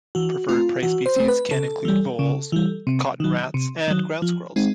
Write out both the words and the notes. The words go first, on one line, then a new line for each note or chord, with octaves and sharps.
Preferred prey species can include voles, cotton rats and ground squirrels.
E3 F#4
A3 C4 F4
E3 F#4
C5
A3 C4
B4
C#3 A4
E3 G3
C#3
E3 G3
C3
D#3 F#3
C3
D#3 F#3
F3
G#3 C4 D#4